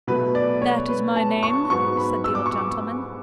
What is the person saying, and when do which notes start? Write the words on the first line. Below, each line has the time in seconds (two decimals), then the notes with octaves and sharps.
'That is my name,' said the old gentleman.
0.07 B2 F#3 A3 B4
0.35 D5
0.62 C#5
0.88 B4
1.16 A5
1.43 C#6
1.70 G#2 F#3 B3 C#6
1.97 B5
2.24 E6
2.35 D6
2.46 C#6
2.58 D6